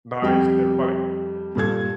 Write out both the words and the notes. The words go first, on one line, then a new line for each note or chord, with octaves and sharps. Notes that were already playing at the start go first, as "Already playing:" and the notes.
nice. Everybody
F2 G3 G5
G2 A#2 A4 G#6